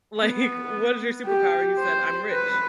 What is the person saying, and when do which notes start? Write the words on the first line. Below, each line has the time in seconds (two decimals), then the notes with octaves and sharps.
like, "What is your superpower?" he said, "I'm rich."
0.20 B3
1.26 G4
1.79 C5
2.32 B4